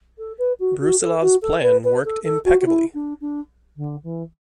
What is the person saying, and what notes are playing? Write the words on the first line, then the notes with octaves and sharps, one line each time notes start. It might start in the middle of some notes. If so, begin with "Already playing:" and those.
Brusilov's plan worked impeccably.
A4
B4
F#4
F#4
A4
F#4
A4
B4
B4
A4
A4
F#4
F#4
E4
D4
D4
D3
E3